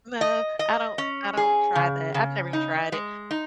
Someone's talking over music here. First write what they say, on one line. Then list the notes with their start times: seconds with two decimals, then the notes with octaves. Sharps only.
No, I don't I don't try that. I've never even tried it,
0.21 D#5
0.59 D#5
0.98 C#4
1.37 G#4
1.75 C#3
2.14 C#3
2.53 D#4
2.92 G#3
3.31 D#4